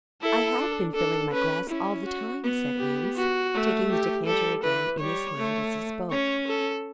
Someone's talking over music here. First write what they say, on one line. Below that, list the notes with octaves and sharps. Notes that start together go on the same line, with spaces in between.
"I have been filling my glass all the time," said Eames, taking the decanter again in his hand as he spoke.
E4 A4
D4
D4 A4
C#4 B4
C#4 E4
F#4
B3
G4
F#4
A3
G4
G3 A4
E3 B4
G3 C#5
A3
C#4 C#5
A4